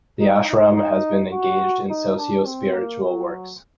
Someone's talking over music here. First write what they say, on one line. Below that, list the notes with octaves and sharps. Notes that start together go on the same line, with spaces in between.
The ashram has been engaged in socio-spiritual works.
D#4
D#4
D#4
F#4
D#4
D4
C4
A#3
F#3